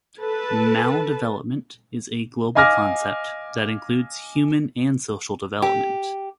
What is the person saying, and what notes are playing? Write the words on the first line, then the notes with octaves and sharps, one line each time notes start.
Maldevelopment is a global concept that includes human and social development.
A4 B4 A5
D#5 F5 G#5 D6 F6 A#6
G4